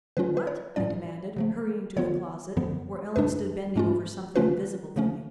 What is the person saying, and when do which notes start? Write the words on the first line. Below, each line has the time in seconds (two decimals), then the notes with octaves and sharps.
"What?" I demanded, hurrying to the closet, where Ellen stood bending over something invisible to me.
0.17 D3 F#3 C#4 F4 B4
0.37 B4
0.47 C#5
0.76 A2 F#3 C#4 D5
1.36 C#3 F3 A3
1.96 D3 F3 B3 F4 C#5
2.57 F#2 D3 F3 B3
3.16 F#2 C#3 G#3 D4 B4
3.76 G#2 G#3 C#4 F4
4.36 C#3 F3 A3 C#4 F4 B4
4.96 C#3 F3 A3 C#4